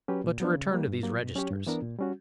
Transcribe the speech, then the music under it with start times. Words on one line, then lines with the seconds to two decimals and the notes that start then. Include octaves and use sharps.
"But to return to these registers."
0.08 F#3 C#4 G4 B4
0.24 A#2
0.40 F#3 B3 D4
0.56 C#3
0.71 G3 A#3
0.87 G2
1.03 F#3 A#3
1.19 B2
1.35 F#3 C#4 G4 C#5
1.50 G2
1.67 E3 B3 D4 A#4
1.82 A#2
1.99 G3 C#4 F#4